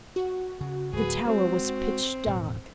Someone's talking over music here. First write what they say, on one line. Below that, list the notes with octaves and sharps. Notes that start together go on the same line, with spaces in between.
The tower was pitch dark.
F#4
C#3
D1 F#3 G#4 B4
G#3 C4
E1 A2 A3